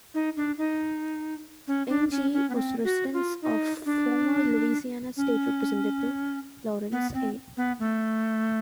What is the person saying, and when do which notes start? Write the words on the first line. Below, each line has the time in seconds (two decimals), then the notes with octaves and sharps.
Angie was the residence of former Louisiana State Representative Lawrence A.
0.14 D#4
0.37 D4
0.58 D#4
1.68 C#4
1.89 D4
2.11 C#4
2.33 C#4
2.50 B3
2.55 C4
2.84 F#4
3.13 F4
3.42 D#4
3.86 D4
5.17 C#4
6.92 B3
7.14 C4
7.57 B3
7.79 A3